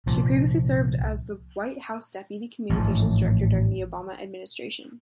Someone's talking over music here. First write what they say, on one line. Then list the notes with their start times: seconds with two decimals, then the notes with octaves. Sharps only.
She previously served as the White House deputy communications director during the Obama Administration.
0.06 C2 A#2 F3
2.70 A1 G#2 F3